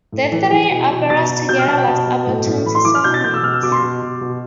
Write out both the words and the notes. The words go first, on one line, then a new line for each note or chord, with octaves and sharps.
The three operas together last about twenty-seven minutes.
A2
E3
E3
B2
B2
B2 A6
B2
B2 G6
F6
B2 A5
G5
B2 A5
B2
A2
A2
E3 B5
C6
E3 D6
F6
B2 G6
A6
B2 G6
E6
B2 F6
E6
B2 D6
C6
B2
B2
B2